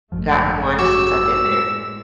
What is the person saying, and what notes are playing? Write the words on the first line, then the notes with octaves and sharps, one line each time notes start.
gotten one since I've been there.
G#1 F#2 A#2 F3 G#3 A3
F#3 G4 C#6 E6
A2 G#3